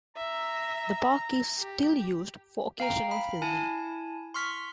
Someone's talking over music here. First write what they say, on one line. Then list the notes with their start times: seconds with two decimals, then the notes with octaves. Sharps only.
The park is still used for occasional filming.
0.16 E5 A#5
1.59 G4
2.80 F5 G5 A#5
3.11 B5
3.42 E4 G#5 A5
4.34 C6 C#6 F6 B6